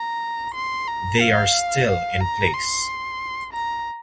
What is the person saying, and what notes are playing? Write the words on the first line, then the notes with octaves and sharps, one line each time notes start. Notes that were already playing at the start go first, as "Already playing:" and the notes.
They are still in place.
Already playing: A#5
C6
A#5
F5
F5
A#5
C6
A#5